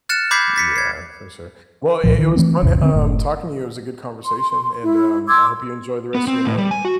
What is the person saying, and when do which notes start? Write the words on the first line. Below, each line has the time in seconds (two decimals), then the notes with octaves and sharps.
Yeah, for sure. Well, it it was fun e um, talking to you. It was a good conversation, and, um, I hope you enjoy the rest of your night.
0.09 F6 F#6 A6 C#7 E7
0.31 B5 D6 G6 G#6 B6 C7
0.56 A6 B6 C#7
0.76 G#6 C7
2.04 C#2 A#2 F3
2.19 D#3
2.36 E3 G3 A3 C4
2.63 C2 F2 A2 C#3
2.81 D3 B3 C4
2.94 F#1 A2
4.25 C6
4.82 E4
5.28 C6 D6 E6 G#6
6.15 B3
6.28 C4
6.45 A2
6.58 G3
6.71 G#5
6.85 F#4